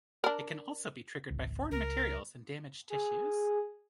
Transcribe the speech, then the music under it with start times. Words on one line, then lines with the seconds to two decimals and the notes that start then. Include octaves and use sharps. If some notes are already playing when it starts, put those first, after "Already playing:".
It can also be triggered by foreign materials and damaged tissues.
0.24 D4 A#4
1.30 G#1 C#2
1.71 C#2 A#4
2.90 G#4